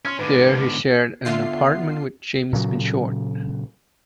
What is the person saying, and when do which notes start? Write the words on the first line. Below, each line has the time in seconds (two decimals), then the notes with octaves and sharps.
There he shared an apartment with James Pinchot.
0.05 C#4 C6 F6 G#6
0.19 G#2 D3 B4 D6 D#7
0.57 B3 D6
1.25 D3 B3 F4 E5 C7
2.53 A#2 C#3 F#3